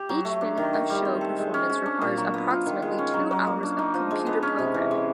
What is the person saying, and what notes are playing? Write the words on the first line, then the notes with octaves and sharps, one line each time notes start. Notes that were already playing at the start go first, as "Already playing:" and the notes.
Each minute of show performance requires approximately two hours of computer programming.
Already playing: G4
F#3
A3
D4
D#3
D#3
G3
C4
A4
G#3
C#4
F#4
D4
A#2
F#3
B3
F4
D#3
G#3
C#4
F#3
F#3
A#3
D4
D#4
F3
G#3
B3
C#4
C3
E3
G#3